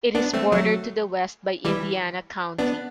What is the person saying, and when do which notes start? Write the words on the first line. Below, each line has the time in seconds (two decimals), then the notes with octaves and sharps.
It is bordered to the west by Indiana County.
0.15 B3 D4
0.33 A3 C4
0.52 F#3 A3
1.65 E3 G3
2.59 B3 D4